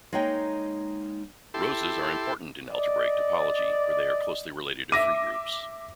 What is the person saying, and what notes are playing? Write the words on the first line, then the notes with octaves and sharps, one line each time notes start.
Roses are important in algebraic topology, where they are closely related to free groups.
G#3 A#3 D#4 C#5 G5
E4 G4 A4 C6
D5 D#5
E5 D6 A#6 D#7